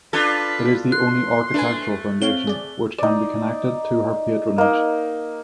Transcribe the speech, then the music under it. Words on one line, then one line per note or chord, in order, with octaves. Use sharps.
It is the only architectural foundation which can be connected to her patronage.
D4 F4 A4 B4 G#6
C6 F#6
A3 D4 B4 G#5
C4 C#5 F5 G7
G#4 D5
D#4 D5
A#3 D#4